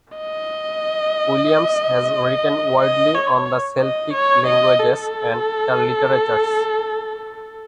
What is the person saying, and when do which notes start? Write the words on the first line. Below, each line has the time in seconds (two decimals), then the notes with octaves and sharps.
Williams has written widely on the Celtic languages and their literatures.
0.17 D#5
2.82 D#5
3.15 C#5
3.81 D#5
4.13 C#5
4.47 D#5
4.79 A4